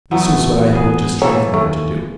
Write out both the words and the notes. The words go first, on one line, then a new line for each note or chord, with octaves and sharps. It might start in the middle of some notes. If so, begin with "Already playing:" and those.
This was what I hoped to strengthen her to do.
E2 F#3 A3 B3
B3 G#4
E3 A#3 A4 C#5
D#2 A3